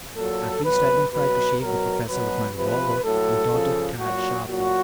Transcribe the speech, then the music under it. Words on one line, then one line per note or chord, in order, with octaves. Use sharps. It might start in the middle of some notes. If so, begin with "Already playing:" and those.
"At least I don't try to shave the professor with my revolver," retorted Tad sharply.
A#2 F#3 A4
B2 F#3 B4
B2 F#3 B4
B2 F#3 A#4
B2 F#3 B4
C3 F3 B4
A2 F#3 A4
C#3 F3
A#2 F#3 F#4
A#2 F#3 F#4